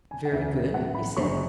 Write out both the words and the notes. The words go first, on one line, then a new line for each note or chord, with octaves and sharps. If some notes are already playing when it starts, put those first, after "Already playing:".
Very good, he said.
G#5
F#5
D2 C#3 E3 E5
B1 A2 E3 F#5
B5
F#1 F#2 D3 C#6